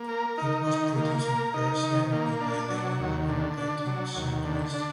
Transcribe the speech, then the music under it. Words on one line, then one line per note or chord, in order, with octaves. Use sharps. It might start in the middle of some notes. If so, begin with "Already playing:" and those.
It was produced in Persia between the eleventh and thirteenth centuries.
Already playing: A#3
A#4
D#4
D#3
A#3
A#4
D#4
D#3
A#3
D4
F#3
D#2
D3
D4
F#3
D#2
D3
D4